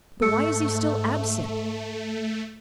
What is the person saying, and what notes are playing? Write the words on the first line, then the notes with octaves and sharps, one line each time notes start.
But why is he still absent?
G#2 A3 A4 E6 C#7